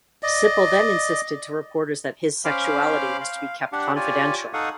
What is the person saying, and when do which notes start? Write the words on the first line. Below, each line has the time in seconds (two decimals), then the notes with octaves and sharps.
Sipple then insisted to reporters that his sexuality was to be kept confidential.
0.23 D5 D#5
2.45 C#4 C5 F5 B5 D6 F6
3.21 F5
3.73 D4 G4 F#5
3.96 F4 G4 C#5 D5 G#5
4.54 D#4 A4 F5 F#5 C#6 D#6